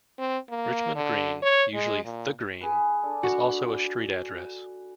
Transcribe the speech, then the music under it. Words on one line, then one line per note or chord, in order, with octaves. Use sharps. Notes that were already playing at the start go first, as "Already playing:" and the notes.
Richmond Green, usually "The Green", is also a street address.
C4
A#3
D3
C#5
G#3
A#2
G#4 B4
D4 A4
F#4